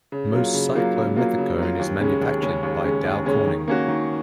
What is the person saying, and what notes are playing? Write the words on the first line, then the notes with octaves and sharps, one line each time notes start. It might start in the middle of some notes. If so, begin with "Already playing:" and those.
Most cyclomethicone is manufactured by Dow Corning.
C#3
F#3 A#3 F4
C#3
F#3 A#3 F4
C#3
F#3 A#3 F4
C#3
F#3 A#3 F4
D#2
C#3 G#3 C#4
D#2
C#3 G#3 C#4
D#2
C#3 G#3 C#4
D#2
C#3 G#3 C#4
D#3
A#3 C#4 F#4
D#3